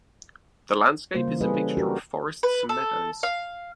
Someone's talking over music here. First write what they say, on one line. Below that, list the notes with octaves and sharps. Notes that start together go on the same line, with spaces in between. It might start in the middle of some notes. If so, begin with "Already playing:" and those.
The landscape is a mixture of forests and meadows.
C#3 G3 A#3 F4 C5
E3
G3 G#4 A4 B4 D#5
C#4 A4
D4 F#4 G4 A#4
B4
A4
F5